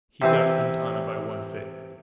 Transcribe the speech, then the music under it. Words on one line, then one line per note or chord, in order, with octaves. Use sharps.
He got Quintana by one foot.
C3 E3 C4